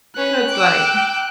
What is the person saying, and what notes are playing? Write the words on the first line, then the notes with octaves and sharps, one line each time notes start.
That's funny.
C#4 B4 F#6
G5 D6 E6